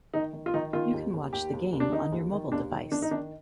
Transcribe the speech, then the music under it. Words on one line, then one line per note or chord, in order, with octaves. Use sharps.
You can watch the game on your mobile device.
D#3 D#4
D#3
F4
D#3 D#4
D#3 F4
D#2
D#2
D#2 G4
D#2
D#2
D4
D#3 D#4
D#2
D#3
D#2 D4
D#3
D#3 D4
D#4
D#3 D4